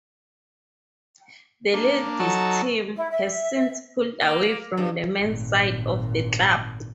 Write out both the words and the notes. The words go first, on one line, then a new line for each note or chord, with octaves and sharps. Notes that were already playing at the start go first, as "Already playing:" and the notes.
The ladies' team has since pulled away from the men's side of the club.
A#3 D4
F#3 D#4 F#4 A4 A5 E6
E4
E5
A#3
G2
G#1 A#2